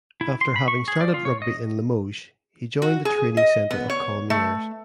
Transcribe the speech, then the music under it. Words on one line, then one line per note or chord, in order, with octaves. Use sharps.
After having started rugby in Limoges he joined the training center of Colomiers.
E4
C6
B5
C#6
G#4
D5
F4
C#5
D#5
F#4
G#4
D#5
B3
C#5
A3